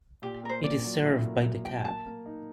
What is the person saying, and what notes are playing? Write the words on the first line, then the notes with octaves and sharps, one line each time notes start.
It is served by the Cap.
A#2 G4
A#3 A#4
C5
A#2 D5
F#3
A2
A#3
F#3
A#3 G5
A#3 A5
A#3
D#4